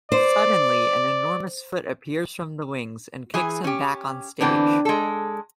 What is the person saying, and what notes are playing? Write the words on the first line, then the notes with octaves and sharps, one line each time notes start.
Suddenly an enormous foot appears from the wings and kicks him back on stage.
C5 D5
E3 G#4 G#5
C#4 G4
D3 E3 B3 C4 D4
G#3 A4